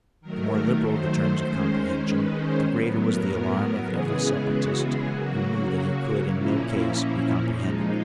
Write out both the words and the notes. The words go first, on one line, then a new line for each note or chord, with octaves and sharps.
The more liberal the terms of comprehension, the greater was the alarm of every separatist who knew that he could, in no case, be comprehended.
D#3 F#3 A3 A#4
C5
D#3 G#3 C#4
B4
C5
A2 F#3 B3
A#4
A#4
A#4
C#3 E3 G#3 B3 G#4
F#4
G#4
C#3 F#3 A#3 F#4
A#2 F3 A#3 C#4 E4
A#2 F3 G#3 D#4